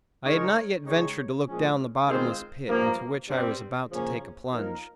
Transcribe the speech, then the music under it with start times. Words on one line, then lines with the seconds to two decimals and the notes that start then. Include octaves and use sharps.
I had not yet ventured to look down the bottomless pit into which I was about to take a plunge.
0.24 C#3 G#3 D#4 A#4 C#5
0.84 C#3 G#3 D#4 G4 C#5
1.46 A#2 F3 G#3 C#4
2.07 D#3 G#3 C4 F4 C5
2.67 G2 F3 A#3
3.28 G2 G3 C4
3.89 C#3 F3 A#3 C#4
4.51 F3 A#3 D#4 A#4